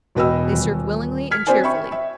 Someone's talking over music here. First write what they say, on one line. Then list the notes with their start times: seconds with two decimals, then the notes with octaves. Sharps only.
They served willingly and cheerfully.
0.15 E1 B2 B3 D#5 G5 E6
0.53 D#1
1.31 F6 G#6 B6
1.47 C4 F#4 C5 D5 G#5
1.64 E5 G5 B5 C#6
1.92 E5